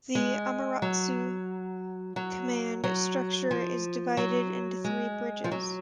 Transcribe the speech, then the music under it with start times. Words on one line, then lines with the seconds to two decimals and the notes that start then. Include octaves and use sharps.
The "Amaterasu" command structure is divided into three bridges.
0.15 G#3
0.82 F#3
2.16 F#3
2.84 F#3
3.51 F3
4.17 F#3
4.85 G#3
5.44 F3
5.52 F#3